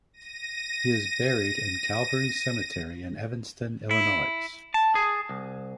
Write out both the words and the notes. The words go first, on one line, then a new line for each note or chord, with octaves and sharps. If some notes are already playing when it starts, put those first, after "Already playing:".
He is buried in Calvary Cemetery in Evanston, Illinois.
A#6 D#7
E4
A5
G#4
C2